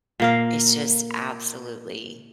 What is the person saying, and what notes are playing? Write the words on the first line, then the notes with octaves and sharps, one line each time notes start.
It's just absolutely
A#2 A#3 F5